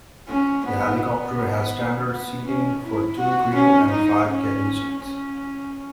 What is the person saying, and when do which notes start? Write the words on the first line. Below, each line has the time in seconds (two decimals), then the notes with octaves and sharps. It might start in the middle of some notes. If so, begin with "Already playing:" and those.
The helicopter has standard seating for two crew and five cabin seats.
0.29 C#4
0.65 B3
1.02 B3
2.10 B3
2.46 C#4
2.83 E4
3.19 F#4
3.55 C#4
3.91 D#4
4.28 C#4
5.00 C#4